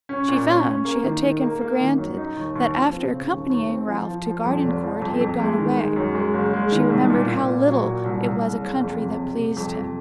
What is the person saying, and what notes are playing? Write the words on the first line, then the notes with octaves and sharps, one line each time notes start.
She found she had taken for granted that after accompanying Ralph to Gardencourt he had gone away; she remembered how little it was a country that pleased him.
C#4
A#2
C#4
C#4
A#3
D#3
D#3
A#3
A#3
D#3
F#2
D#4
D#2
D#2
F3
C4
C#3
D#2
D#2
C4
F3
F3
F3
F2
F1
F3
F2
F2
G#3
D#3
G#3
F#2
G#3
F#1
G#3
D#3
C2
A#2
A#2
A#2
F#3
A#2
C2
C2
F#1
F#1
F2
C3
F#1
C3
F2
F2